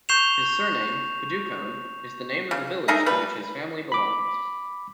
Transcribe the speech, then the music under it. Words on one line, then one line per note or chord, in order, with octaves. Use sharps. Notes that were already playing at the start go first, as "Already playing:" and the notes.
His surname, Padukone, is the name of the village to which his family belongs.
C#6 G6 C7 E7 F7
C#3
A3 D#4 G#4 A#4
G3 B4
B5 D6